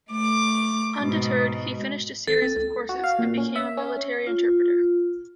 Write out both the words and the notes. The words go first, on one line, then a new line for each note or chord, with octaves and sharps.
Undeterred, he finished a series of courses and became a military interpreter.
A3 D6
G#2 B2
G#1 A4
C4
C#2
F#4
F5
A#2
C#4
E5
C#4
F4